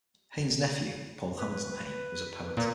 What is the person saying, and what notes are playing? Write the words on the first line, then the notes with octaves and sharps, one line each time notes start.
Hayne's nephew, Paul Hamilton Hayne, was a poet.
B4
B4
A#2